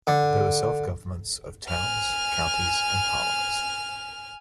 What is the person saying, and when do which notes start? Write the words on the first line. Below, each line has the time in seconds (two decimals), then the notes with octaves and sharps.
There were self-governments of towns, counties and parliaments.
0.07 D3
1.69 G#5 F6